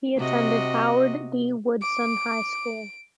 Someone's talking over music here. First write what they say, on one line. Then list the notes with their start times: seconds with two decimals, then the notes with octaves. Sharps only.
He attended Howard D. Woodson High School.
0.17 C3 F#4 D#5
1.82 D6 D7